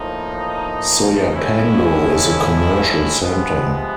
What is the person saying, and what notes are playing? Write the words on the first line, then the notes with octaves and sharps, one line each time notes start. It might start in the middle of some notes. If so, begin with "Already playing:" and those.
Soyapango is a commercial center.
Already playing: A2 F3 A#3 D#4
A2 F3 G#3 C#4 E4
C3 F3 G#3 B3